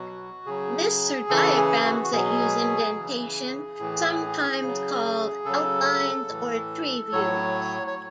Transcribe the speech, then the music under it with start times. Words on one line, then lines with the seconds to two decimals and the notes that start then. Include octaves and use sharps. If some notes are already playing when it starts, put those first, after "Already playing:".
Lists or diagrams that use indentation, sometimes called "outlines" or "tree views".
Already playing: B2 F#3 F#4
0.46 C#3 F#3 G#4
1.29 C#3 E3 A4
1.57 G#4
1.84 F#4
2.04 F#4
2.12 B2 F#3 G#4
2.95 C#3 E3
3.79 A2 E3
4.62 C#3 F#3
5.45 C#3 F#3 A4
6.28 A2 E3
7.12 A2 F#3 C#5
7.87 C#5